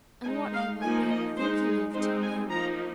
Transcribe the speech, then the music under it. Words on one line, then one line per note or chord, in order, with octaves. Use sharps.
"And what have I been thinking of till now?"
G#3 D#4 G#5
F5
F3 A#3 D#4 G#5
D#5
G#3 D#4 C5
G#4
G#3 C4 D#4 C5
G#5
F3 A#3 D#4 A#5